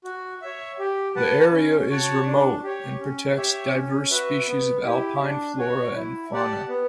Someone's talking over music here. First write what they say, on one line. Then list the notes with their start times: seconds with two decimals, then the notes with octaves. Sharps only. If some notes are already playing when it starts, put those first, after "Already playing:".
The area is remote and protects diverse species of alpine flora and fauna.
0.04 F#4
0.42 C#5 E5
0.79 G4
1.16 B4 F#5 A5
1.52 C#4
1.90 F#4 C#5 F#5 A5
2.26 D4
2.63 G4 C#5
3.00 C#4
3.36 G4 C#5 E5
3.74 C#4
4.11 F#4 B4 E5
4.48 B3
4.85 E4 G4
5.22 D4
5.59 F#4 C#5
5.95 E4
6.32 G4 D5 F#5 A5
6.69 B3